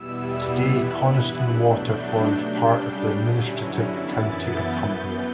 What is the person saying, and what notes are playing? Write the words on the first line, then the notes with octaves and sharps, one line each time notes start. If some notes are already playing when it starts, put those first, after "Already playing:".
Today Coniston Water forms part of the administrative county of Cumbria.
Already playing: E2 B2 G3 B3 E4 E6
G2 E3 B3 E4 F#6
B2 F#3 A3 D4 G6
C#3 G3 D4
G2 D3 F#3 C#4 E4
F#2 E3 B3 E4 A6
G6
F#2 E3 B3